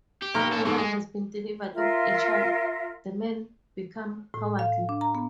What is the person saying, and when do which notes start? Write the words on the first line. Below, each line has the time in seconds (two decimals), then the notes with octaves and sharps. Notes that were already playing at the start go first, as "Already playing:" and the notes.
When a woman has been delivered of a child, the men become cowardly.
0.22 G4
0.34 B1 A#5 F6
0.52 C#4 A4
0.65 G#2 B2 A4
0.78 G#3 G#4
1.74 F4 A#4 E5
4.34 A2
4.59 F5
4.89 D4
5.01 A#5
5.15 B3